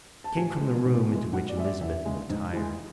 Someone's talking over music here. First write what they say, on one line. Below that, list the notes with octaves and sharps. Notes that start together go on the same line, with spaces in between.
It came from the room into which Elizabeth had retired.
A5
A2 G#5
G#3
G#2
E3 G#3
G#2 F#5
D5
G#3 E5
D5
E2 E5
C#3 G#3
G#2
E3 G#3